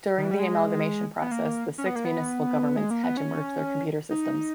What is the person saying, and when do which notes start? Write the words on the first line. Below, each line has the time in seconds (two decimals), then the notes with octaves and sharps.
During the amalgamation process, the six municipal governments had to merge their computer systems.
0.18 D#3
0.24 E3
0.31 G3
0.39 G#3
1.22 B3
1.31 A#3
1.78 C#4
1.86 B3
1.95 A#3
2.05 B3
2.77 G#3
2.91 A#3
3.04 B3
3.17 C#4
4.10 D#4